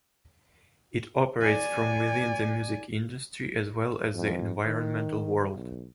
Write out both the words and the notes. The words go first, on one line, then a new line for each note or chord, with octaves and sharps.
It operates from within the music industry as well as the environmental world.
D5 G#5
F2
D#3
B1